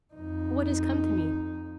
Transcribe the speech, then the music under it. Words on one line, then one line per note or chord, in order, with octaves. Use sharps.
What is come to me!
F2 D#4